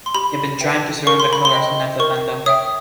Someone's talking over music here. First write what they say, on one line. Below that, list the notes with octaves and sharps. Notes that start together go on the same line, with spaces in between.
He had been trying to surrender the colours, not defend them.
C6
G4 B5
B4 E5 G5
A#4 C#6
C6
B5
C6
D#5 G5
A#4 C#6
C#5 E5 G5 D#6